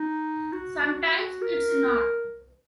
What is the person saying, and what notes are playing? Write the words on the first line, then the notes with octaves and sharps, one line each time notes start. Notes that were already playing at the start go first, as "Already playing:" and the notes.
Sometimes it's not.
Already playing: D#4
F#4
A#4